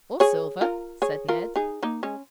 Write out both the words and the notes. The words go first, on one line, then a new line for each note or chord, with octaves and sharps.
"Or silver," said Ned.
G#4 C#5
F4 A#4
G#4 C#5
F4 A#4
D#4 G#4
A#3 D#4
G#3 C#4